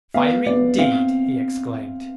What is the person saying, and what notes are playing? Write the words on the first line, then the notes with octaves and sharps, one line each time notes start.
"Fire, indeed!" he exclaimed.
B3 F5
B3 D5
C4 F5